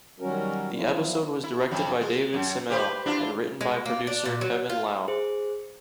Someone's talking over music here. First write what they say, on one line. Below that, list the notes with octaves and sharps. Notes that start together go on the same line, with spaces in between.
The episode was directed by David Semel and written by producer Kevin Lau.
D#3 F#3 G3 C#4 F#4 A#4
F3 F#3 B3 D4 E4 F4
E4
F2 F#3
G#3
F#2
G4 B4 C5
D4 E4 F4
G#3
A#3
D4
A#2
F#3
F4
G#4 C5